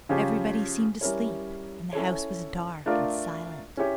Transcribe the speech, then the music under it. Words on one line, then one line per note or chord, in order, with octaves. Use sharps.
Everybody seemed asleep and the house was dark and silent.
C#3 F3 C#4 G4
G3 C#4 E4 A#4 C#5
C#4 E4 A4 C#5
A3 D4 F4 A#4 D5
C#4 E4 G4 C#5